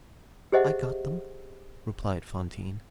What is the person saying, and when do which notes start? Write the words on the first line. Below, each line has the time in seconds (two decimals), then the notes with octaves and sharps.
"I got them," replied Fantine.
0.52 G4 G#4 C5 D#5 E5 F#5